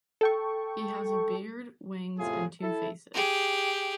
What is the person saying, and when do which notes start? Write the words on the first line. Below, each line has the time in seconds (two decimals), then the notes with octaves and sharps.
He has a beard, wings and two faces.
0.21 A4 G5 C#6
2.18 E2 A2 C3 F4 G#4
2.62 E4 A4
3.14 G4 G#4